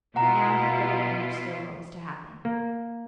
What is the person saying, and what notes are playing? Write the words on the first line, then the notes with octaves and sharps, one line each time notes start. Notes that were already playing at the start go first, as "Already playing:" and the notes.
Now he fully understood what was to happen.
B2 E4 F4 F#5 A#5
A#3